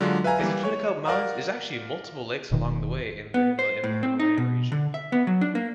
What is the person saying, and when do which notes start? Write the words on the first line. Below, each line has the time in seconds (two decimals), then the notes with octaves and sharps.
It's between a couple of mountains. There's actually multiple lakes along the way in the Himal in the Himalayan region.
0.01 D3 F#3 G#3 D4 F4
0.24 B4 E5 F5 G#5 A#5
0.39 E3 G3 A#3
0.63 C#5 C#6
1.05 A#4 D5 F5 F#5 A#5
2.51 E1 B2 D#3
3.34 B3
3.59 C5
3.84 A2
4.03 C4
4.20 D#4
4.38 B2
4.72 D3
4.94 E5
5.12 B3
5.27 F#3
5.41 D4
5.55 A#3